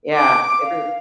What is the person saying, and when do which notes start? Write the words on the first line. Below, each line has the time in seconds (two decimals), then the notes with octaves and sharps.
yeah, every
0.14 D6
0.63 F5